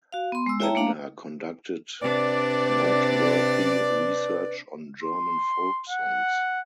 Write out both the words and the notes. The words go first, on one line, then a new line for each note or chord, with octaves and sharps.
Bender conducted noteworthy research on German folk songs.
F#4 F5
B3 C6
G#3 E6
E4 C#5 E5 G5 A5 A#5
A3 A#3 D4 F5 A#5
C3 D4 B4 D5
C6
F#5